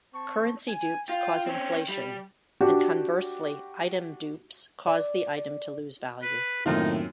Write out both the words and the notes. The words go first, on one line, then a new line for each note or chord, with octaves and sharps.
Currency dupes cause inflation and conversely item dupes cause the item to lose value.
C4 A5 C#6
G#5
F4 G5
C4 C#4
G3
D4 F#4 G4
D5
B4
F#2 A2 D#3 A#3 C4 D#4 F4